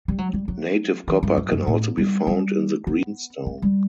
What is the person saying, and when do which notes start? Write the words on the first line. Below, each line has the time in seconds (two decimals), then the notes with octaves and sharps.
Native copper can also be found in the greenstone.
0.08 G3
0.18 F#3
0.33 G3
0.48 F#3
1.08 E3
1.23 G2
1.37 F#2
1.52 F#2
1.67 A2
1.98 G3
2.27 G3
2.87 B3
3.46 A3
3.62 G3